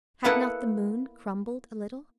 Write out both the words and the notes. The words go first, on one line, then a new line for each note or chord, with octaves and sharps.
Had not the moon crumbled a little?
A#3 B3 E4 A4 B4 F#5